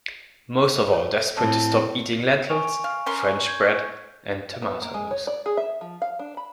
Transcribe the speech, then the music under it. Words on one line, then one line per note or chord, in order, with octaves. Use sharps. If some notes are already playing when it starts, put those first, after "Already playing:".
Most of all desperate to stop eating lentils, French bread and tomatoes.
A4 C#5
A2 C4 A5
G#5 C#6 F7
F5
C#4 A#4 C6
G6 G#6
G6
B3
A#3
G#3
C#5
D5
G#4
E5
F3
F5
D4
B5